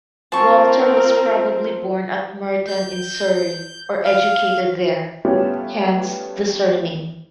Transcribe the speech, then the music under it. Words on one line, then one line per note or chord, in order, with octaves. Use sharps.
Walter was probably born at Merton in Surrey or educated there; hence the surname.
F3 C4 F4 A#4 A5 C#6
G6
F5
G3 A3 B3 C#4 F4 G4